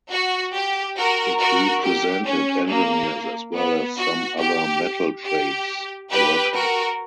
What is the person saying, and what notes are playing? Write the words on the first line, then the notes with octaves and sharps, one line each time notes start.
It represented engineers, as well as some other metal trades workers.
F#4
G4
F#4 A#4
F#4 A#4
G4
C#4
A#3
B3
F#4
G4
G4
G4 B4
F#4 A#4